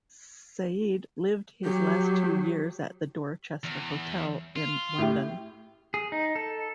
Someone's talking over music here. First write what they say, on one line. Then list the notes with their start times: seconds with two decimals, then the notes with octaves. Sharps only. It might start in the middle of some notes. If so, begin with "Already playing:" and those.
Said lived his last two years at the Dorchester Hotel in London.
1.65 F#3 G4
3.64 E2
4.56 F4
4.98 A2 E4 G4
5.94 G#4
6.12 D#4
6.36 A4